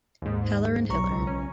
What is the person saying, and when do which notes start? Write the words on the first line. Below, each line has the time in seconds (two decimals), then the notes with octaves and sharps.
Heller and Hiller.
0.22 D#2 G#2
0.89 B1 A#5 C#6
1.11 C#2
1.27 C#4